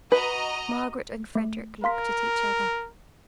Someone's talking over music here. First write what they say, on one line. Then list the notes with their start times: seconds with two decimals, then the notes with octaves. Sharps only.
Margaret and Frederick looked at each other.
0.12 F#4 B4 D#5 A#5
1.35 A3
1.84 A#4 F5 C6 B6